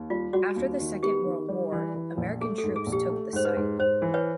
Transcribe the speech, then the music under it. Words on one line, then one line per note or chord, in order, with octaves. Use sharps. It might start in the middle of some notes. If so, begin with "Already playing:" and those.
After the Second World War, American troops took the site.
Already playing: D#2
G3 F4
G3 F#4
D#2
D#3
B3 G4
D#3
G3
E3
E3
A#1
A3 G#4
A4
G#2
G#4
A#1
G4
A3
G#2 C5
B4
G#2
G#2 C5
E3
B4 C#5